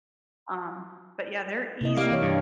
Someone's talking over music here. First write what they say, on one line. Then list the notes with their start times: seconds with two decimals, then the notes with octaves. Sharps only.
um, but yeah, they're easy,
1.81 C3 E4 D#5
1.97 A#3 G4 D5 F5
2.11 E3 C#5
2.22 G2